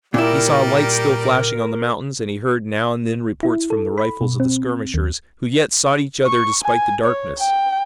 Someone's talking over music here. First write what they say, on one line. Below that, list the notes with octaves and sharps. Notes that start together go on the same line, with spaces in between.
He saw lights still flashing on the mountains, and he heard now and then reports from the rifles of the skirmishers, who yet sought each other despite the darkness.
A#2 G3 E4 A#4 D5 G5
E4
A4
B5
B2
C4
D#2
C#6
G#5
C#5
G5